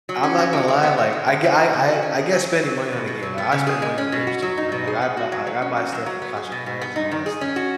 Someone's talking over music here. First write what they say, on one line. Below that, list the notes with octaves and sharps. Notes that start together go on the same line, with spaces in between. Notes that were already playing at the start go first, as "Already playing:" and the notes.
I'm not gonna lie, like, I g I I I get spending money on a game, I I spend money on games too, right? Like, I bu like, I buy stuff from Clash of Clans and all that stuff.
F#3
C#4
F#4
G#3
G#3
B3
F#4
G#3
G#3
B3
D#4
C#3
F#4
C#4
G#4
F#3
F#3
F#3
B3
B2
B2
F#3
B3
C#3
G#4
G#3
C#4
B2
F#4
F#3
D#4
B2
G#4
B3
F#4
F#3
F#3
C#4
F#4
F#3
F#3
B3
G#4
B2
B2
B3
D#4
D#3
G#4
C#4
F#4